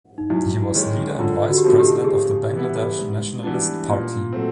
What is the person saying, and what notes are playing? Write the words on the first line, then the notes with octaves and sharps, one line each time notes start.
He was leader and Vice President of the Bangladesh Nationalist Party.
D#4
F#2 E4
D#3 G#3 C#4
D3 F4
F#4
G4
F3 A3 C4 D#4 F#4
G4
G#4
C#3 G4
E3 G3 B3 E4
G#2
E3 G3 B3 D4
A#2
F#3 A3 C4